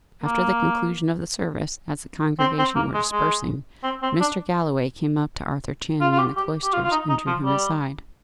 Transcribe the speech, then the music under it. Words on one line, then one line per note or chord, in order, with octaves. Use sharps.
After the conclusion of the service, as the congregation were dispersing, Mr. Galloway came up to Arthur Channing in the cloisters, and drew him aside.
A#3
C4
C4
A#3
G#3
G#3
C4
C4
D4
F4
F4
G4
G4
G4
F4
F4
D#4
D#4
F3
G3